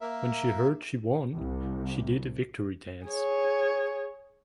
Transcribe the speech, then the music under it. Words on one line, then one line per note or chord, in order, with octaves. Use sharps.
When she heard she won, she did a victory dance.
A#3 A#4 E5
C2
G#4 C#5